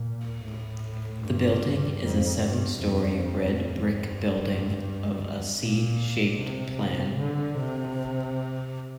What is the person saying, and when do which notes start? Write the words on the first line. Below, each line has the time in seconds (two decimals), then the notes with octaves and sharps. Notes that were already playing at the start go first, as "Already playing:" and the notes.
The building is a seven-storey red brick building of a C-shaped plan.
Already playing: A#2
0.44 A2
1.22 G2
2.03 F2
2.42 G2
2.82 F2
4.01 G2
5.60 A#2
6.40 C3
7.18 D3
7.58 C3